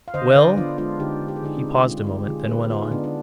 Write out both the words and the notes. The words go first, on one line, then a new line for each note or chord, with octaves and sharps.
Well!' he paused a moment, then went on.
F5
D3 C5 D#5
D3 B4 D5
B3 D4 F4
G#3 D4 F4
D3 D#4 G4
D3
G4
G#4
D3 D#4 G4
C4 D#4
D3
G#3 D4 F4
G#3 D#4 G4
D3 F4 G#4
B3 G4 B4
D3 F4 G#4
D#4
D3 B3 D4
D4